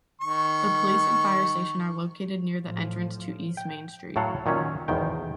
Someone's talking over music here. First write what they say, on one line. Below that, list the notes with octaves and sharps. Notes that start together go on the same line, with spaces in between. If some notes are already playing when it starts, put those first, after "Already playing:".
The police and fire station are located near the entrance to East Main Street.
D#3 C#6
A2 F3
G5
A2 F#3 A4 F5 F#5
A#2 D#3 F#3 C#4
B1 E2 G#2 D#3 G5